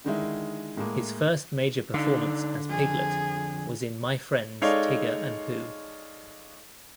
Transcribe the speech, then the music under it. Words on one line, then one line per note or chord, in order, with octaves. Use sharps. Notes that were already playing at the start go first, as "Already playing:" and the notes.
His first major performance as Piglet was in "My Friends Tigger and Pooh".
D3 D#3 G#3 E4
A2 G#3 A#3
D3 D4 D#4 F5
F2 G#4
G#3 D#4 A4 C#5 D5 F5